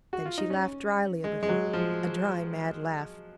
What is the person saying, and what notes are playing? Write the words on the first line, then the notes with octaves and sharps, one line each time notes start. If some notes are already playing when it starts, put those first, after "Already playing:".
Then she laughed dryly a little--a dry, mad laugh.
F#4
F4
D#4
C#4
G#3
G#3
F#3
F3